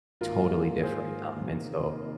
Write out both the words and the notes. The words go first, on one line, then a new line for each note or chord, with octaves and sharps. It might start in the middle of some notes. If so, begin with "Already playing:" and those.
totally different, um, and so
G#2 D#3 A#3 F4 A#4
G#4 C5
C3 D#3 A#3 D#4